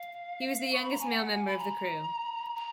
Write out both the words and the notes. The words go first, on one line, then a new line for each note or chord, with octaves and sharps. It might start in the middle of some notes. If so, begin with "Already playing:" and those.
He was the youngest male member of the crew.
Already playing: F5
C#6
B5
A#5
G#5
F#5
G#5
B5
A#5
A#5